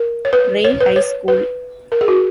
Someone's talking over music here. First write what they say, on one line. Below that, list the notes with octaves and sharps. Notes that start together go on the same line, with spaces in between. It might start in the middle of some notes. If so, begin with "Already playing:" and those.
Ray High School.
Already playing: A#4
C#5
B4
C#5
B4
C#5
B4
A#4
G#4
F#4